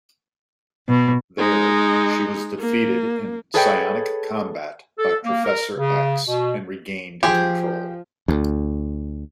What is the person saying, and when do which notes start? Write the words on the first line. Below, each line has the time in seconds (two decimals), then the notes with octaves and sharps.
There, she was defeated in psionic combat by Professor X, and regained control.
0.88 B2
1.38 G#3 D#4
2.58 A#3
3.54 G#4 A4 B4 C#5 D#5 G5
4.98 A4
5.24 A#3
5.45 A#4
5.78 C#3
6.27 B2
7.23 F3 G4 G#4 C5
8.28 D2